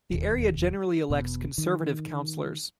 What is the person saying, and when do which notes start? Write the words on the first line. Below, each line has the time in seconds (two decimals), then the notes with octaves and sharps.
The area generally elects Conservative Councillors.
0.11 E1 D#2
1.10 E1 B2
1.58 D#3